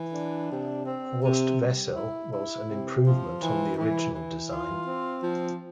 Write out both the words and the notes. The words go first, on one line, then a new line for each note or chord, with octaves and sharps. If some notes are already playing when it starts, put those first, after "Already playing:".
"Horst Wessel" was an improvement on the original design.
Already playing: E3
D4
C3
C4
C3
G3
E4
E4
C3
F3
E3
E3
E3
F4
C4
F3